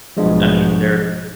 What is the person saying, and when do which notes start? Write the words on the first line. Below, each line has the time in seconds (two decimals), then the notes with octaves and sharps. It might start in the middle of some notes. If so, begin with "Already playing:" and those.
I mean, they're
0.17 B1 G#2 F3 G#3 D4